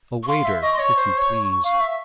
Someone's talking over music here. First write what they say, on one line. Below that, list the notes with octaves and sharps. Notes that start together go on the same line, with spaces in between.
A waiter, if you please.
C#6
F5 C6
E5
D#5 C#6
C6
C#5 C#6
C5 C#6
C#5
F5
E5